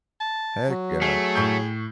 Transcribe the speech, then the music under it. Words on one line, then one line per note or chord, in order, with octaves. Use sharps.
Heck yeah.
A5
F#3
A3 G#4 C7
A2 C#6 G6